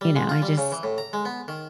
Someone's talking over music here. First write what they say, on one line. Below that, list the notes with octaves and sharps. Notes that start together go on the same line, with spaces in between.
you know, I just
G3
G#3
F4
G3
C#3
E3
A2
A#5
G#3
B3
D#3